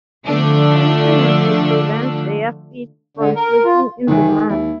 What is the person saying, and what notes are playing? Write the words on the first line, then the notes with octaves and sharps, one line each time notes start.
The intention was to prevent their feet from slipping in the mud.
D3 F3 A3 D4
D3
A#4
F4
F#1 D#3 E3
G#3 G4
D#2 E4